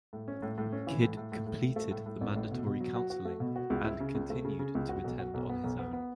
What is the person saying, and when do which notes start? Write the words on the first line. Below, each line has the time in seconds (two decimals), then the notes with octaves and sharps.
Kidd completed the mandatory counseling and continued to attend on his own.
0.13 A2
0.28 C#4
0.42 A2
0.58 A2
0.72 C#4
0.87 E3
1.02 A2
1.17 A2
1.32 A2
1.47 A2
1.61 A2
1.76 A3
1.91 A2
2.06 A2
2.21 A1
2.36 A2
2.51 B2
2.66 B2
2.81 F#3
2.96 F#4
3.10 F#4
3.25 A3
3.40 B2
3.56 F#4
3.70 C#2
3.85 E4
4.00 C#3
4.15 C#2
4.30 A3
4.45 C#3
4.59 C#3
4.75 C#2
4.89 F#4
5.04 B1
5.19 F#4
5.34 B1
5.49 B3
5.64 B1
5.79 B3
5.93 B3